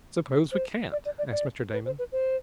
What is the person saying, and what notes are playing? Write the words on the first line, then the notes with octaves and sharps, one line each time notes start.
"Suppose we can't?" asked Mr. Damon.
C5
D5
D5
D5
D5
B4
C5
B4
C5